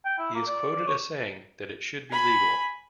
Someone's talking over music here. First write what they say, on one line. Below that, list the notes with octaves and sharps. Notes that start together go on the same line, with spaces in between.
He is quoted as saying that it should be legal.
G5
E4
A#3
D5
C#5
G#5 B5